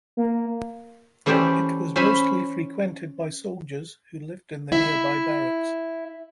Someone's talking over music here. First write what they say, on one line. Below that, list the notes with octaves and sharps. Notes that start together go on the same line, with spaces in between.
It was mostly frequented by soldiers who lived in the nearby barracks.
A#3
E3 A3 C#4 G4 C5 D5
C#4 C5 C#5 E5 G#5 B5
E4 E5